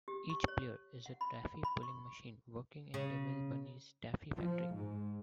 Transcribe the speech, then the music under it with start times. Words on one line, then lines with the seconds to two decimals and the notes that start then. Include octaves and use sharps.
Each player is a taffy pulling machine working in Devil Bunny's taffy factory.
0.08 G4
0.30 C#6
0.48 C#5
1.06 F#5
1.21 B5
1.65 B5
1.83 C#6
2.94 C#3
4.37 F3
4.74 G#2